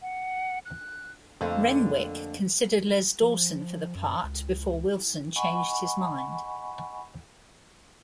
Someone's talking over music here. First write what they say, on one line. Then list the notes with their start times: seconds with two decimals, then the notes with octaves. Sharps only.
Renwick considered Les Dawson for the part before Wilson changed his mind.
0.02 F#5
0.65 F#6
1.41 F2 D3 A3 A#3 F4
3.21 F3
3.95 F#2
4.24 C#2
5.36 D#5 F#5 G#5 B5 C#6